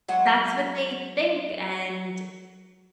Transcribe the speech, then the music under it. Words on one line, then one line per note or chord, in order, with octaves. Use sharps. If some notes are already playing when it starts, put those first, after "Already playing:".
That's what they think. And,
F#3 G#3 F#5